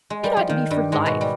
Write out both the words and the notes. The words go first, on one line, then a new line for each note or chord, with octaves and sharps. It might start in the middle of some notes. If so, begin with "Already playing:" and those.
It ought to be for life.
Already playing: B3
G#3
G3
F3
D#3
G2 G3
G#2 G#3
B2 B3
G3